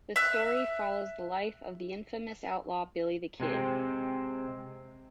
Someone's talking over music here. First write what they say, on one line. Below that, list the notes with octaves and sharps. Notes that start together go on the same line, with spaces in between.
The story follows the life of the infamous outlaw Billy the Kid.
E5 F#6
C3 G#3 C4